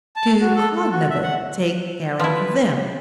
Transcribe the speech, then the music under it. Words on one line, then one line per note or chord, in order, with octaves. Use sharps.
Two cognovits--take care of them.
A5
F#4
A4
A4
F#4
E5
F#5
F3 E4 B4